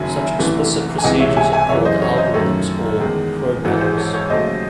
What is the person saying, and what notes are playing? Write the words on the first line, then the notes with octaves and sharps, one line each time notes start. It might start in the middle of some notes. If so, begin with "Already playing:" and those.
Such explicit procedures are called algorithms or "programs".
Already playing: F#1 F#2 D#3 F#3 E5 G#5
C2 C3 E3 A3
G#5
C#2 C3 E3 G#3 D#5 F#5
C#5 E5
E5 G#5
E5 G#5
F#2 C#3 E3 C#5 E5
C5 D#5
A4 C#5
C5 D#5
F#2 D#3 F#3 A3 A4 C#5
E2 D#3 G#3
G#1 G#2 E3 F#4 A4
A4
G#4 C5
A4 C#5
A4 C#5
D#2 C#3 F#3 A3 C5 D#5